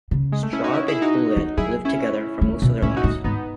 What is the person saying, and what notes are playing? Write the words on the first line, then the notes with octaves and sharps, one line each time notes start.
Straub and Huillet lived together for most of their lives.
C#3
G#3
A3
C#4 E4
D#4 F#4
C#4 E4
E4 G#4
D#4 F#4
E3
F#3 E4 G#4
C#4 E4
A3
B2
A2 C#4 E4
D#4 F#4
A2
G#2 B3 D#4